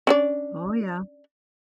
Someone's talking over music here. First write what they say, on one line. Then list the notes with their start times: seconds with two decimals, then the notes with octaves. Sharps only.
Oh, yeah.
0.07 C#4 D4 D5